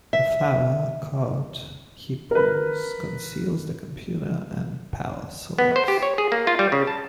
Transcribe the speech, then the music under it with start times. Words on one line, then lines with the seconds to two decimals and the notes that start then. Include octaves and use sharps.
The flower cart he pulls conceals the computer and power source.
0.13 E5
2.31 A#4 B4
5.58 B3
5.76 C5
5.88 G4
6.02 C#5
6.18 G#4
6.32 A#3
6.47 F4
6.59 G3
6.72 C#3
6.87 A5